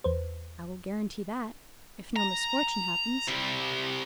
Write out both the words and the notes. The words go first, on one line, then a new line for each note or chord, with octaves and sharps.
"I will guarantee that, if no misfortune happens."
E2 B4 C5
A#5
C3 G3